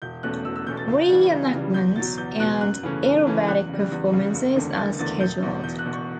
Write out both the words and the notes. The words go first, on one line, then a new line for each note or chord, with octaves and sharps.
Re-enactments and aerobatic performances are scheduled.
E1 G6
E2 B2 A3 C#4 F#6
E1 E6
E6
E2 B2 A3 C#4 G6
A6
C#2
C#3 E3 G3
C#2
C#3 E3 G3
E2 G6
B2 F#3 A6
E2 G6
B2 F#3 F#6
F#2 F#6
C#3 E3 A3 C#4
F#2
C#3 E3 A3 C#4
E2 F#6
C#3 G3
E2
C#3 G3
F#1
E2 D3 A3
F#1 A6
E2 D3 A3 A6
E1 G6
E2 B2
E1 G6
F#6
E2 B2
C#6